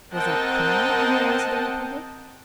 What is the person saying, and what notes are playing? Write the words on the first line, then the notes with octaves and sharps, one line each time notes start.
Was that criminal in the eyes of the Republic?
C4 A#4 D#5 F#5 G5 A5